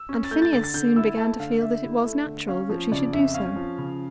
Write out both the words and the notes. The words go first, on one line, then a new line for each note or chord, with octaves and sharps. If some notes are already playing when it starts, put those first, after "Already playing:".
And Phineas soon began to feel that it was natural that she should do so.
Already playing: E6
C#4
A6
A3 G6
A6
D3 A6
A6
D3 G6
E4 E6
A3 A5
D3 F5
D3 E5
E4
A3
D3
C#4 F5
F3
C#3 D5
F2 E5
C#4 F5
F3
C#3